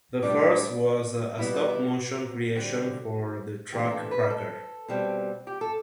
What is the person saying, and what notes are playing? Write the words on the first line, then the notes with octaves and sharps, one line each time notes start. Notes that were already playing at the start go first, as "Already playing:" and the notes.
The first was a stop-motion creation for the track "Cracker".
A2 G3 D4 D5
B2 G3 B3 E4
F#4
E4
F#4
D3 G3 C4 F#4
C3 E3 A3 D4 G4
A4
B4
A4
B2 G3 C4
G4
A4